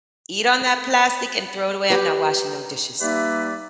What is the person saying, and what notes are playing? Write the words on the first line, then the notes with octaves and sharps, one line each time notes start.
Eat on that plastic and throw it away. I'm not washing no dishes.
G4 B4
G3 A#3 D#4 B4 D5 E5